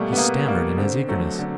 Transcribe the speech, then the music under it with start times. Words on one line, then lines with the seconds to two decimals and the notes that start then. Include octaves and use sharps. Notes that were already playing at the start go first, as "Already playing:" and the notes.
He stammered in his eagerness.
Already playing: B2 G3 A3 A#3
0.13 B3
0.18 B2 A#3
0.48 G3 A#3
0.78 D3 C4
1.09 F#3 A3
1.39 D3